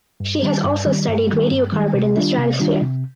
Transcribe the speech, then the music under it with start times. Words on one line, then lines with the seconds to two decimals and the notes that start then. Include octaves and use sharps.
She has also studied radiocarbon in the stratosphere.
0.20 G2
0.43 D#3 G3
0.64 G2
0.86 D#3 G3
1.08 G2
1.29 D#3 G3
1.51 G2
1.72 D#3 G3
1.94 C3
2.16 D#3 G3 D4 F4
2.38 C3
2.59 D#3 G3 D4 F4
2.81 C3